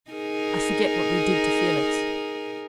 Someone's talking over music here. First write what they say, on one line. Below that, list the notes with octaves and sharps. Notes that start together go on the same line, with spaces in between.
I forget what we did to Felix.
D#4 G#4 A#4